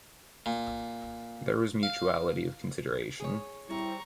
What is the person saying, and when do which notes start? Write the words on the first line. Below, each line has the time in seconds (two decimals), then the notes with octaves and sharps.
There was mutuality of consideration.
0.46 A#2
1.83 F5
3.20 G#4 C#5
3.69 G3 C4 E4 A#5 C#6